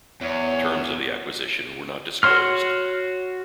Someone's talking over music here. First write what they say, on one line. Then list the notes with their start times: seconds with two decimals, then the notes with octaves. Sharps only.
Terms of the acquisition were not disclosed.
0.21 E2 C#5
2.23 F#4 C#5 C6 F6